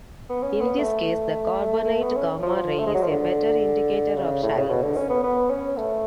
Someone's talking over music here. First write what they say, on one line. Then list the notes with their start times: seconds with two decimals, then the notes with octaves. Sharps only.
In this case, The carbonate gamma ray is a better indicator of shaliness.
0.29 B3
0.42 C#4
0.61 B3
0.78 A3
2.03 B3
2.16 C#4
2.43 F3
2.56 F3
2.79 A3
2.86 G#3
2.94 F#3
3.02 F3
3.10 D3
4.17 C#3
4.43 A2
4.58 C#3
4.70 B2
4.83 D3
4.97 C#4
5.10 B3
5.24 B3
5.50 C#4
5.77 A3